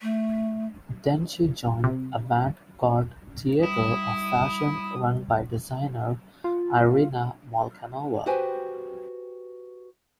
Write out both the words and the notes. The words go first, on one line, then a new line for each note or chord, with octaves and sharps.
Then she joined Avant-garde Theatre of fashion run by designer Irina Molchanova.
A3
C3
G3 E4 D#6
F4
F#4 G4 B4 C5 G5 G#5